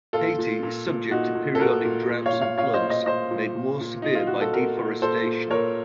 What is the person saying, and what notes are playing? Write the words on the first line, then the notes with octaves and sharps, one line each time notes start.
Haiti is subject to periodic droughts and floods, made more severe by deforestation.
A#2 F4 A4
A#2
A#2
A#2
A#2 D#4 F#4
A#2
A4
A#2 F#4 A#4
A#2
A#2
C#5 F5
A#2
C#5 F5
A#2 C#5 F5
C5 D#5
A#2
C5 D#5
A#2 C5 D#5
A#2
A#2
A#2
A#2 D#4
F4
A#2 F#4
A4
A#2 F#4 A#4
A#2
A#2 A4 C5
A#2
A#2 A#4 C#5